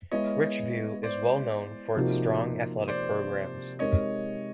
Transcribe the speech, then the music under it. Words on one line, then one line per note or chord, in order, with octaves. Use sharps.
Richview is well known for its strong athletic programs.
G#3 B3 E4 C#5 D#5
C5 D5
C3 F3 A#3 D#4 F#4
C5 D5
G#3 C4 D#4 G4 A#4 C#5 D#5